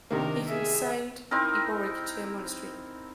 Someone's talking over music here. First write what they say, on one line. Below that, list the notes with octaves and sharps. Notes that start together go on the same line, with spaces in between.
He consigned Eboric to a monastery.
C3 D#3 A#3 D4 A#4
G#4 E5
C4 D#4 E4 A#4